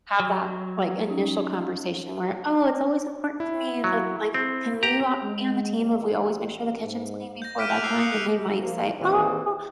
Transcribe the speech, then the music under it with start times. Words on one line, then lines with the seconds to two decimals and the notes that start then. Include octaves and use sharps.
have that, like, initial conversation where, "Oh, it's always important to me that like, can you a be on the team of we always make sure the kitchen's clean before bedtime?" And they might say, "Oh,
0.20 F#3
1.09 C#4 D#4
3.40 E4
3.84 F#3
4.34 C4
4.83 G4 A#5
5.22 G#3
5.77 A1
6.85 G#2
7.42 G6 A#6
7.58 D6 F6 B6 D7 D#7
7.69 F#6 G6 B6 D7 F7 F#7
7.84 E6 F#6 G6 C7 D7
7.99 D#6 C7 C#7 F7
8.11 D#6 F#6 G6 D7 F7
8.61 F3 A#3
8.99 A#2 D#3 E3 C4 G4